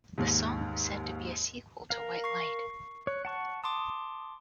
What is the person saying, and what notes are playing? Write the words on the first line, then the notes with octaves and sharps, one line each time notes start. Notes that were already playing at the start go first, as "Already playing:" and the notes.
The song was said to be a sequel to White Light.
D#2 G#2
A#4 F5
C#6 C7
C#5 F#6
F#5 A5 C#6
A5 C6 D6 D#6